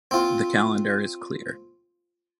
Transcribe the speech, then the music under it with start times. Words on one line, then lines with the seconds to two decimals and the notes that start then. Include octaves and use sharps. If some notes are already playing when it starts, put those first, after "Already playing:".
The calendar is clear.
0.11 C4 F4